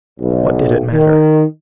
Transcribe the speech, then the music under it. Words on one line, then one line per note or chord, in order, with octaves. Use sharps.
But what did it matter?
B1
D#3